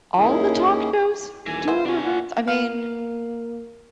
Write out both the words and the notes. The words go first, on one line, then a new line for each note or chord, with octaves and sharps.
All the talk shows do a rehears I mean
D#2 D#3 C#4 E4 G#4
D#1 E3 G#5
G#3 B3 C5 E5
C3 D4 F#4 G#5
A#2 F#5
A#3 F5